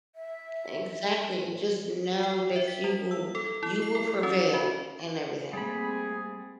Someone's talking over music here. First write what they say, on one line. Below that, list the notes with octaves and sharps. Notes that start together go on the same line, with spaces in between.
Exactly, and just know that you will you will prevail in everything,
E5
G5
E5
B6
G3
E6
A4
E4
C7
A4
C#4
F#4
G3 A3 A#3 C4 G#4 B5